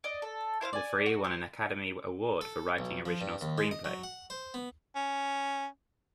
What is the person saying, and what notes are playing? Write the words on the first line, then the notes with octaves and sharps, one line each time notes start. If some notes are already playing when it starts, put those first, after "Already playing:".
The three won an Academy Award for Writing Original Screenplay.
D5 D#5
A4
E4 C5 C#5 F5
D5 G#5
F#4
C5
A4
B1
F3
G2
D#2
G#3
D#5
F#3
F#5
C5
B3
C#4